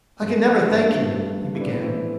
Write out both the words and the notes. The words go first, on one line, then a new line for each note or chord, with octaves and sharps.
"I can never thank you," he began.
G2 A3 C4
B3 D4
F3
C4 E4
G2
B3 D4
F3 A3 C4
G2
F3
E4
A2 B3 D4
E3 C4 E4